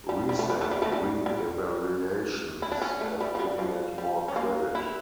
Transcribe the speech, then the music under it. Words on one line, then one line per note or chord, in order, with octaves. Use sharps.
Recent re-evaluations have given it more credit.
G3
G3
A3
G3
A3
G3
A3
G3
G3
E4
D4
C#4
A3
G3
F3
G3
F3
G3
C#4
A#3
E4